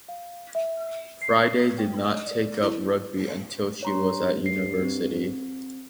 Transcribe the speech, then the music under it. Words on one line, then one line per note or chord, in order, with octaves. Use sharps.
Fryday did not take up rugby until she was at university.
F5
E5
C7
G5
D#5
D5
E4
G2 C#5 A#5 C6
C7
C4